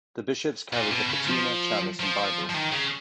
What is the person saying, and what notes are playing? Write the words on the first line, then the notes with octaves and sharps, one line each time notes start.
The bishops carried the patina, chalice, and Bible.
A#2
B2
C#3
F3
F3
F3
D#3
C#3